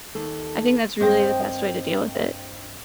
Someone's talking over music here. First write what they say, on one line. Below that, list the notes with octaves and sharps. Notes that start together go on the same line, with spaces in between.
I think that's really the best way to deal with it.
D#2 A4
G2 A#3 C4 C5 D#5 G5